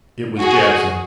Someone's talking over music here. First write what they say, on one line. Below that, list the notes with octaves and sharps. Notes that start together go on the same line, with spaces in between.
It was Jackson.
F#4 G#4